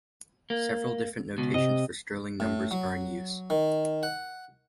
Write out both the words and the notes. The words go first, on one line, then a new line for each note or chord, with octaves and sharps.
Several different notations for Stirling numbers are in use.
A#3
C#2 B2
C3 D#5
A2
F#3
D#3
F#5